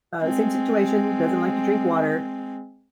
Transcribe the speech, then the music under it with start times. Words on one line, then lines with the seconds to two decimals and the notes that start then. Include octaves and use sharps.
uh, same situation, doesn't like to drink water.
0.22 G#3 C4